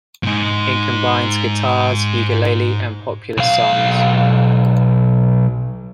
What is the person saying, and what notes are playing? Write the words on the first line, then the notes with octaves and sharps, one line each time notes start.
It combines guitars, ukulele, and popular songs.
G#2 D#4
B1 F5